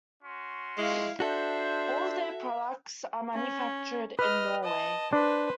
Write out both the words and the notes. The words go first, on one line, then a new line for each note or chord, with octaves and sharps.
All of their products are manufactured in Norway.
C#4 F#4 C6
G#3 E4 F5
D4 F#4 A4 C5 E5
C#4
B4 D#5 F6
D#5 A5
D4 B4 C5